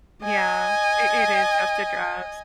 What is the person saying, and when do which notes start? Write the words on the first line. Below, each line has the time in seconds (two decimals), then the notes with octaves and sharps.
Yeah. I it is just a dress.
0.22 D#5 G#5